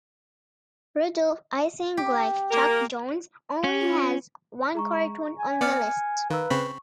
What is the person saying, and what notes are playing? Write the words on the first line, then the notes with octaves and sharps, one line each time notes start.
Rudolf Ising, like Chuck Jones, only has one cartoon on the list.
G4
A#3 A#4
C#4
F4
G#3 G#4 A#5 C#6
G#5
B3 D5 F6 C#7
D#3 B4 F5 A#5 E6
C#3 C4 B5 C#6